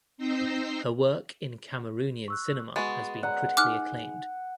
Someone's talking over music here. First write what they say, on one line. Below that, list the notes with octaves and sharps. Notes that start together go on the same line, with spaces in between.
Her work in Cameroonian cinema has been critically acclaimed.
C4 D#4 E6 G6 A#6 C7
C#6 E6 F#6
G#3 B3 F#4 A6
D5 F#5 A#5
D#4 G#5 D6 F6 F#6